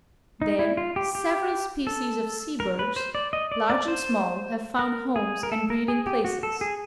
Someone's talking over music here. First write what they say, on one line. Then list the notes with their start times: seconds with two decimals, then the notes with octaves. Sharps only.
There several species of sea birds, large and small, have found homes and breeding places.
0.42 D#4
0.59 E4
0.77 F4
0.96 G4
1.15 G4
1.87 A4
2.60 A#4
2.79 B4
2.96 C5
3.15 D5
3.33 D#5
3.52 D5
3.70 D5
3.88 C5
4.79 A#4
5.16 G#4
5.43 A#4
5.52 A4
5.70 A#4
5.88 G#4
6.07 G4
6.25 F#4
6.43 A4
6.61 G#4